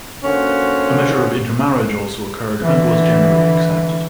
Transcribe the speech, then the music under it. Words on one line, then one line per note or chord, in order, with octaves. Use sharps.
A measure of intermarriage also occurred and was generally accepted.
D3 A#3 C#4 F#4 C5
D3 E3